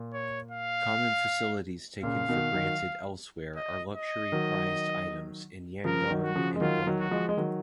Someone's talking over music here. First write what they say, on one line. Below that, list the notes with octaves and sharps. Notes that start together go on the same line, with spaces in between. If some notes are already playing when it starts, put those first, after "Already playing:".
Common facilities taken for granted elsewhere are luxury prized items in Yangon and Burma.
Already playing: A#2
C#5
F5
A#2 C#3 F5
B2 D#3
D#3 F#3
D#5
D#5
D#3 F#3
C#3 F3 A#4
D#3 F#3
F#4
C#3 F3
G#3
D#3 F#3 F4
D#3 F#3
F#4
F3 G#3
G#3
D#3 F#3